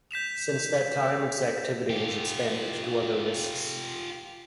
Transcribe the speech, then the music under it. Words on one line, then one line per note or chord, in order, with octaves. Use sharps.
Since that time its activity has expanded to other risks.
G6 B6 E7 F7
F4 G4